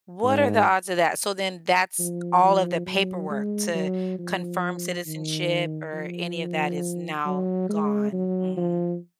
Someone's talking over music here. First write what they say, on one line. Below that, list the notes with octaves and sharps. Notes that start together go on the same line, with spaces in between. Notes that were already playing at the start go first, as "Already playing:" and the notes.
What are the odds of that, so then, that's all of the paperwork to confirm citizenship, or any of that is now gone? Mm.
G#2
F3
F3
F#3
G#3
F#3
F3
D#3
F3
F#3
G#3
F#3
F3